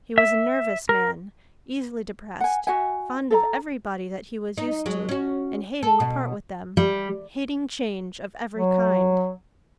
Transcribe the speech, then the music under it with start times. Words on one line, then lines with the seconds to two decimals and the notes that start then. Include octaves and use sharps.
He was a nervous man, easily depressed; fond of every body that he was used to, and hating to part with them; hating change of every kind.
0.18 E5
0.89 A#4
2.41 F#5 G#5
2.67 F#4 E5 F#5 G#5
3.30 A4 A#5
4.58 D#4
4.86 F#3 G#3
5.09 C#4 F#4
5.83 A4
6.00 B2
6.77 G3
8.57 F#3